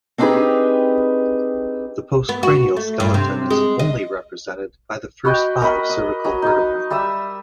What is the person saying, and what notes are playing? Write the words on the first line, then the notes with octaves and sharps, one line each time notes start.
The postcranial skeleton is only represented by the first five cervical vertebrae.
C4 D4 D#4 G4 G#4 B4
B3
F#4
A3
G2
C3
G#3
D#5
F#4 B4 D#5 G5
A#4 D#5 F#5 B5
D#5
F#3 D#5
D#4 D#6
G3 E5 D#6 E6